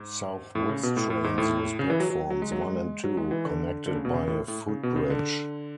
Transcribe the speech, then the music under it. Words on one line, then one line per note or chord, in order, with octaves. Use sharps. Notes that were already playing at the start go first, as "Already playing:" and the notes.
South West Trains use platforms one and two, connected by a footbridge.
Already playing: G#2
A2
C#3
B2
A2
A2
G#2
A2
C#3
E3
F#3
F#3
F#3
G#3
F#3
G#3
F#3
G#3
E3
D3
D3
C#3
B2
C#3
A2
A2
C#3
B2
C#3
D3